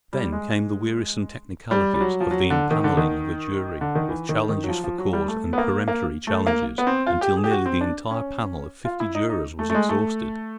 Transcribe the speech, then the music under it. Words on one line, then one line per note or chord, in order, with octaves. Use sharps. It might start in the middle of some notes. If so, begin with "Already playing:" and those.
Then came the wearisome technicalities of the empaneling of a jury, with challenges for cause and peremptory challenges, until nearly the entire panel of fifty jurors was exhausted.
G3
G#3
G3
G3
F#3
F3
F#3
D3
D#3
D3
D#3
D3
D#3
E3
D#3
D#3
F#3
F3
F3
F#3
G3
A3
B3
A#3
A#3
A3
A#3
B3
C4
F4
G4
G#4
G4
F#4
C4
D4
C#4
F4
E4
D#4
D#4
A3
A3
G#3
A3